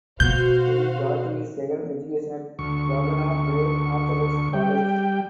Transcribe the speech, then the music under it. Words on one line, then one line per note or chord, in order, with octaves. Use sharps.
He got his second education at Phanar Greek Orthodox College.
B2 F#4 C5 F5 G6
D2 C#6
G3 G5